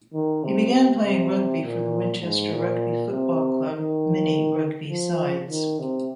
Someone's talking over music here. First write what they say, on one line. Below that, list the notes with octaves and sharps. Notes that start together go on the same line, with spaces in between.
He began playing rugby for the Winchester rugby football club mini rugby sides.
D#3
C3
C3
A#2
G#2
A#2
C3
D#3
F3
D#3
C3